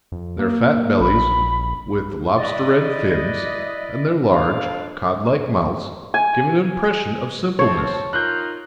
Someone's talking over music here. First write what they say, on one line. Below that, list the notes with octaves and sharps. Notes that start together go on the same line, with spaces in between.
Their fat bellies with the lobster-red fins, and their large, cod-like mouths, give an impression of simpleness.
F2
A#3
A#1 B5
E4 B4 D5 D#5
F2 D4 F5
G#5
B2 C4 C#5 A5
D#4 F4 A#4 F#6 G6